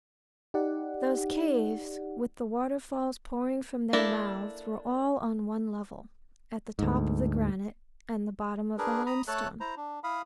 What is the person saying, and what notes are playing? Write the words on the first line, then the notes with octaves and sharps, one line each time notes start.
Those caves with the waterfalls pouring from their mouths were all on one level, at the top of the granite, and the bottom of the limestone.
D#4 G4 D5 F#5
A#3 D4 E4 A4
D2 G#2
D4 G#4 A#4 B4
A#5 B5 D#6
A3 A4 C#5 A5 F#6
E4 C5 A#5
D4
E4 F5 B5 D#6